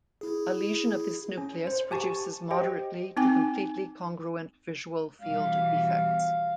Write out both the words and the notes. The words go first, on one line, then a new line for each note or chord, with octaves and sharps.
A lesion of this nucleus produces moderately to completely congruent visual field defects.
E4 G#4
C#4
C5
G4 G#5 A5 C#6
G4 C5 D#5 G5
C4 D#4 G5 G#5
B2 E3 G3 F5